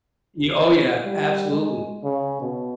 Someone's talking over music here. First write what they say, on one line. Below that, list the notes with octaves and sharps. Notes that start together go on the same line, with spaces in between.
Y oh, yeah, absolutely,
G3
G#3
C#3
B2